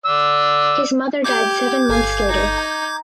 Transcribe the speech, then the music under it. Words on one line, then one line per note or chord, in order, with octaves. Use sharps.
His mother died seven months later.
D5 E6
G4 D6 G6 G#6
G1 A4 F5 G#5
D#4
A#5